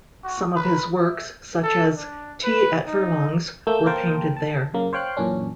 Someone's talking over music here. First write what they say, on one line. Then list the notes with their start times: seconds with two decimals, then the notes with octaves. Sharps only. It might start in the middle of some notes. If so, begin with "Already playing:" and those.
Some of his works, such as "Tea at Furlongs", were painted there.
0.24 F#4
0.56 B4
1.00 E5
1.63 A4
1.96 D4
2.44 B4
2.87 D#4
3.67 A3 A#3 E6 G6
3.86 A#3 A#4 C5 G5 A5
4.36 A5
4.74 F#2 C#3 A#3
4.93 C5 C#5 F5 G5 C6 F#6
5.17 F#2 A#2 E3 C#4 D4